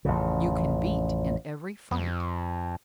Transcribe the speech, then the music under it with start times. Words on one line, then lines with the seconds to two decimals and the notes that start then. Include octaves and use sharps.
You can beat in every fight.
0.05 A1 F2 C#3
1.91 F2